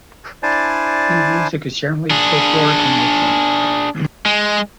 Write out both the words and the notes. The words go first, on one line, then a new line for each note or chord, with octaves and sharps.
Plena music is generally folkloric in nature.
D4 E4 C5 D5 G#5 A5
D4 G#4
G#3